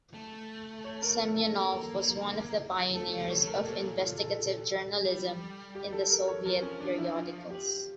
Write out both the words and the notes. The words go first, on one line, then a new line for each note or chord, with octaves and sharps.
Semyonov was one of the pioneers of "Investigative journalism" in the Soviet periodicals.
A3
C#5
A#4
A4
A4
A#3
A3 A4
C#5
G3
C#5
A3
A#4
A#2 A4
F4
A4
G3
G4
A4
A#4
C#5
F3 A#4
C#4
D4
E4
F4
G4